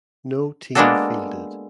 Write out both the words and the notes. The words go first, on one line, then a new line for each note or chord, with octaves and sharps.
No team fielded.
G#3 A#3 B3 D4 F#4 A4